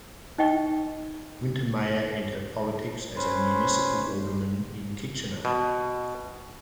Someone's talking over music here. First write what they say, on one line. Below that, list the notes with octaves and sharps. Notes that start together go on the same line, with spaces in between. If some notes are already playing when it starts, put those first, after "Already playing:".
Wintermeyer enter politics as a municipal alderman in Kitchener.
D#4 D#5 G5 C#6
C#4 B4 C5
B2